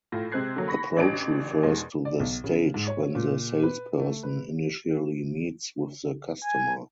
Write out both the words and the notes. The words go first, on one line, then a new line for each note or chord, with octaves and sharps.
Approach-Refers to the stage when the salesperson initially meets with the customer.
A2 F4 A#6
C3 G#3 C5 F#6 G#6 C7
D3 F#3 A#3
B5 C#6 A#6
A1 D4 D7
E2 B2 G#3
D5
B1
C#3
G#2
C#5
A#2
B4
A3
B4
G#5